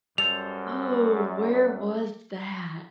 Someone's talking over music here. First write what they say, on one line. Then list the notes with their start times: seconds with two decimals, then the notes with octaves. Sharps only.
Oh, where was that?
0.18 F#2 G3 A4 C5 F7